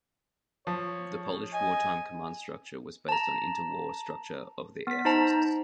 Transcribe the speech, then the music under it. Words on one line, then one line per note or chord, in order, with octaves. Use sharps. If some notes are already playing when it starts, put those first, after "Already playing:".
The Polish war-time command structure was based on inter-war structure of the air forces.
F3 C#5
D#5 G#5
A5 A#5
B3 B6
D#4 C5 A5 A#5